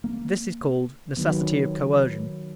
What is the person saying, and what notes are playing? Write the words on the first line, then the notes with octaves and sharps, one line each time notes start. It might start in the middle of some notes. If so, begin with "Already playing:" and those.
This is called "necessity of coercion."
A#3
D#3 F#3 B3